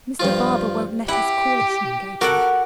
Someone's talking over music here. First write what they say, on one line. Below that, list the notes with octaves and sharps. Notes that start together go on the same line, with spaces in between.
Mr. Barbour won't let us call it an engagement.
G2 F3 F4
E4 G4 F#5
F#4 A4 A#4 F#5 D6